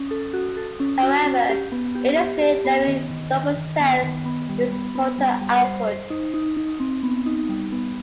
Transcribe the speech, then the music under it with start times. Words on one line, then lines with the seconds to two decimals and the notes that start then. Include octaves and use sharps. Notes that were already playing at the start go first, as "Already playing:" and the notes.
However, it is clear that we don't possess his total output.
Already playing: C#4
0.11 A4
0.33 F#4
0.57 A4
0.80 C#4
1.03 F#4
1.26 C#4
1.49 G4
1.72 B3
1.95 G4
2.18 G4
2.41 G4
2.65 B3
2.87 D#3
3.10 D#3
3.33 D#3
3.57 D#3
3.80 B3
4.03 D#3
4.25 B3
4.49 G3
4.72 B3
4.95 B3
5.19 G3
5.41 G3
5.64 C5
5.87 C5
6.10 D#4
6.34 D#4
6.56 D#4
6.80 C4
7.03 B3
7.26 D#4
7.49 G3
7.72 B3